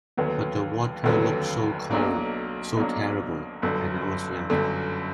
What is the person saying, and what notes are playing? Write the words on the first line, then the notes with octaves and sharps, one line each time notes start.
But the water looked so cold, so terrible, and I was young.
F1 D#2 D3 F#3 B3
F1 D#2 D3 F#3 B3
B1 B2 F#3 A#3 D4
B1 B2 F#3 A#3 D4
G1 F#2 D3
G1 F#2 D3